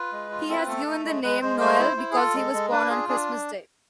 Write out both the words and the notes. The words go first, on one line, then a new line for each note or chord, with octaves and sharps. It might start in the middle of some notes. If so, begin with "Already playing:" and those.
He was given the nickname "Noel" because he was born on Christmas Day.
Already playing: F4 B4
G#3
F4
C4 A4
B4
A3 A4
A3
G#3
G#3 B4
G#3 C5
A3 C5
E4
E4
G#4
F4 A4
G#3
G#3
D4 B4
F4 G#4
D4 G#4